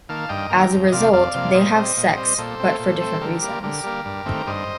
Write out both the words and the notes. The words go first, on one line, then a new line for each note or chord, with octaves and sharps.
As a result, they have sex, but for different reasons.
D#3 A#3 F5 A5
G2 D#5 G5
D#3 A#3 G5 A#5
F2
D#5
C3 F3 A#3 D5 F5
F2 D5 F5
C3 F3 A#3
A#2 C5 D#5
G3 C4
A#2
G3 C4
A#2 A4 C5
A3 C4
A#2
A3 C4
D3 G4 A#4
G3 A#3
D3 G4 A#4
G3 A#3
G2
D#3 A3 C4
G2 C5 D#5